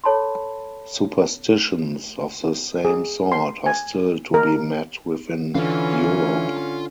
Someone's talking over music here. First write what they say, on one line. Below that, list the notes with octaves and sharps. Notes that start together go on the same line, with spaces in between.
Superstitions of the same sort are still to be met with in Europe.
A4 C#5 A5 B5 C6
G#4
C6
G#5
A#4
D3 E3 C#4 F4 F5